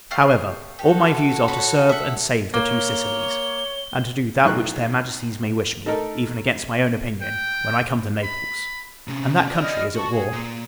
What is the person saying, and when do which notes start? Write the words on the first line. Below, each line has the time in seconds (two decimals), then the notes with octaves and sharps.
However, all my views are to serve and save the Two Sicilies; and to do that which their Majesties may wish me, even against my own opinion, when I come to Naples, and that country is at war.
0.11 A3 G4 F5
0.79 F#4 G4 A4
1.48 C#5 B5
1.89 E5 F#5
2.54 A#3 C#5 G7
4.45 B1 A2 C#6 F#6
5.86 A3 D#4 A4 A#4
7.22 G5
8.23 B5
9.08 C3 C#4
9.48 G#4 D5
9.60 D#5 F6
9.95 F#4 A5 C#6
10.11 G#4
10.33 A#2